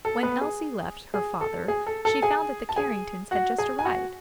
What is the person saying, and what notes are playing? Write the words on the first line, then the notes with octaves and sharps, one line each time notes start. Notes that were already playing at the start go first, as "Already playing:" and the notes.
When Elsie left her father she found that the Carringtons had just arrived.
A4
B3 B4
G#4
G#4
A4
G#4
A4
A4
G#4 G#5
A5
G#4 G#5
F#4 F#5
G#4 G#5
G#5
F#4 F#5